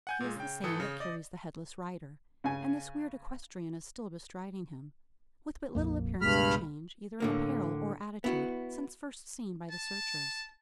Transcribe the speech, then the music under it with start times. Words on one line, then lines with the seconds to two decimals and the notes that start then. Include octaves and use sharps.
He is the same that carries the headless rider; and this weird equestrian is still bestriding him, with but little appearance of change, either in apparel or attitude, since first seen by the searchers.
0.07 F#5 G#5 G6
0.20 A#2 G#3
0.36 C#3 G5
0.63 G#1 E3 A4 D#6 C#7
0.80 C#3
1.00 D5 D#5
2.44 C#3 G#5
5.75 A#1 F2 A#3
6.21 C#2 G2 B2 G#3 B5 F6
7.20 A2 D3 A#3
8.24 B3 E4 F#4
9.71 A5